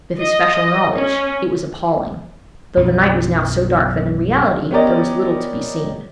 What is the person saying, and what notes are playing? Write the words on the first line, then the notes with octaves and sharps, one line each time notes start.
With his special knowledge, it was appalling--though the night was now so dark that in reality there was little to be seen.
D#5
C#4
B1 F#2 E3
B3 C#4 G4 A#4 D5 D#5